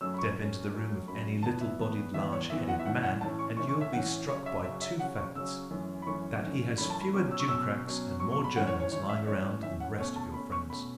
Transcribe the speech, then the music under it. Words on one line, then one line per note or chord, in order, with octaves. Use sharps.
Step into the room of any little-bodied large-headed man and you will be struck by two facts--that he has fewer jimcracks and more journals lying around than the rest of your friends.
F#2 F#3 A3 C#4 E6
B5
C#6
F#2 F#3 A3 C#4
F#2 F#3 A3 C#4
F#2 F#3 A3 C#4 B5
E2 E3 B3 A5
E5
E2 E3 B3
E2 E3 B3 E5
C#5
E2 E3 B3 E5
F#5
E5
A2 E3 C#4 F#5
F#5
A2 E3 C#4 A5
C#6
A2 E3 C#4 C#6
C#6
E5
A2 E3 C#4 F#5
C#3 F#3 C#4 C#5
E5
C#3 F#3 C#4 E5
E5
C#3 F#3 C#4 F#5
C#6
C#3 F#3 C#4 E6
F#2 E3 A3 C#4
B5
F#2 E3 A3 C#4 C#6
F#2 E3 A3 C#4
F#2 E3 A3 C#4 B5
A5
B5
B2 F#3 C#4 C#6
E6
C#6
B2 F#3 C#4 E6
B2 F#3 C#4
B2 F#3 C#4 C#6
C#6
B5
A2 E3 C#4 F#5
C#5
C#5
A2 E3 C#4 C#5
E5
A2 E3 C#4 C#5
A2 E3 C#4 E5
F#5
B2 A3 C#4 C#5
A5
B2 A3 C#4 B5
C#6
B2 A3 C#4 B5